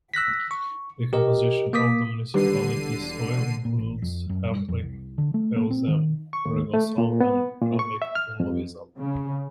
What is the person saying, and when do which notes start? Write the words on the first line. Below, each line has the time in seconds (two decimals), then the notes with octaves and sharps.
The composition of the municipality's soil includes Haplic Feozem, Regosol and Chromic Luvisol.
0.14 E6 F#6 A#6 B6
0.51 C#6
1.13 G4 A#4 D#5
1.73 A#3 D6 D#6 B6
2.34 E1 D3 D#3 G3 G4 B4 C7 D#7
3.65 A#2
3.79 A1
4.02 F2
4.29 F#2
4.51 G2
4.69 F2
4.83 C2
5.18 D3
5.34 A3
5.56 A#3
5.71 C4
5.88 D#3
6.33 C#6
6.46 D#2
6.74 A3
6.98 A#2
7.20 B3
7.61 A#2
7.79 C#6
8.02 E5
8.15 F6
8.40 F2
8.97 C#3